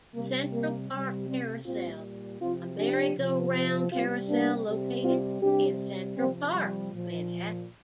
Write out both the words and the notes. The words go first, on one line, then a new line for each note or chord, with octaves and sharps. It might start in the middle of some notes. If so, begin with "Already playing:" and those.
Central Park Carousel: A merry-go-round carousel located in Central Park, Manhattan.
C3 G3 A#3
A#3
C3 G3
G3 C4
A#2 G3 C4 F4
C3 F3 C4 F4
D4 G4
C3 F3
C3 G3 C4 F4
A#3 D4
C3 G3
C4 F4
C3 G3 D4 G4
C3 F3 G3 C4
G3
A#2 F3